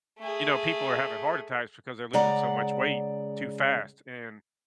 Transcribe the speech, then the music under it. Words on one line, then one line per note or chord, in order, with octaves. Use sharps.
You know, people are having heart attacks because they're losing so much weight too fast and
A3 G#4
C#3 G#3 D5 F#5 A#5